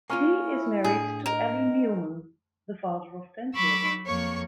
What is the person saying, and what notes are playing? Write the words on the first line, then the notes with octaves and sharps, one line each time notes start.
He is married to Ali Neeleman the father of ten children.
A#3 C#4 F4 G#5 C#6 F6
E4
A2 D4 G#4
A#4 D#5
F#3 B5 C#6 D6 E6
F2 A#3 C#5 C#6